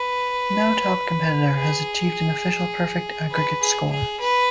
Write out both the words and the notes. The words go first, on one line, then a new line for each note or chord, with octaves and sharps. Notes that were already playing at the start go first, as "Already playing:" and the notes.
No top competitor has achieved an official perfect aggregate score.
Already playing: B4
G#4
B4
G#4
G#4
B4